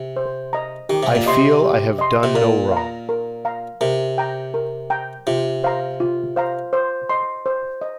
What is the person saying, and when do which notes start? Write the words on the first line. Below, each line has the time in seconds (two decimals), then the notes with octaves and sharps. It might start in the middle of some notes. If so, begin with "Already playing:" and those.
I feel I have done no wrong.
Already playing: C3
0.16 C5
0.53 D#5 A#5
0.89 D#3 G4
1.03 C3
1.15 A#2
1.26 C3 D#5 C6
1.62 G4
1.99 D#5 C6
2.23 C3
2.35 A#2 A#4
2.72 F5
2.77 A#5
3.09 A#4
3.45 F5 A#5
3.81 C3 A#4
4.18 G5 A#5
4.54 A#4
4.90 G5 A#5
5.27 C3 F4
5.64 C5 F5 A#5
6.00 F4
6.36 C5 F5 A#5
6.73 C5
7.09 D#5 C6
7.46 C5
7.81 D#5